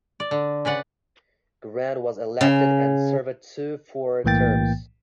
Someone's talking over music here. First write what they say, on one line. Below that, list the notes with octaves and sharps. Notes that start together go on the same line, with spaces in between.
Grant was elected and served two four-year terms.
D5
D3
C#3 B4 D5 F#5
C#3
B1 A2 E3 A#3 G5 A6